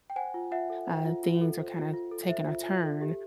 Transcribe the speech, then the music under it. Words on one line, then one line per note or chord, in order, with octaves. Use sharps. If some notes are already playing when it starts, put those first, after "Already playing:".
uh, things are kinda taking a turn.
G5
C5 F#5 G#5
F4
F4 E5 F#5
A4
C5
F4
F4
A4
C5
F4
F4
A4
C5 E5
F4
F4
A4
G4